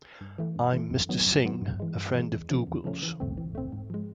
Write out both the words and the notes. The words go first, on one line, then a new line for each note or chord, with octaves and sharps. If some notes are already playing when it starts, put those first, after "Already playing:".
I'm Mr. Singh, a friend of Dougal's.
G2
E3 A3
G2
E3 A3
F#2
D#3 F#3 B3
F#2
D#3 F#3 B3
G2
E3 G#3
G2
E3 G#3
E2
C#3 F3 A3 C#4
E2
C#3 F3 A3 C#4
E3
A3 C4
E3
A3 C4
G#2
F3 G#3